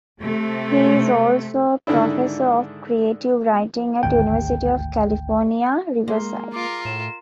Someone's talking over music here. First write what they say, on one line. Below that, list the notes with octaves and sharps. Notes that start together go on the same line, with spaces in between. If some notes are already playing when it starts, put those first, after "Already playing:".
He is also a professor of creative writing at University of California, Riverside.
C3 A3
G#2 D3 D#3 D4 E4
G#1 D2 G5
G#3 A#3 C6
F4 A#4 D6
A2 E7